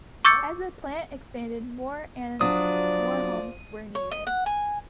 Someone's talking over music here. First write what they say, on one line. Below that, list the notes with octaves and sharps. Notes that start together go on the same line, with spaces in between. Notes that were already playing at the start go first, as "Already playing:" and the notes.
As the plant expanded, more and more homes were needed.
C#6 D6 E6 G6 A6 C#7
F3 F#3 D4 F#4 D5 D#6
C#5
D#5
F#5
G#5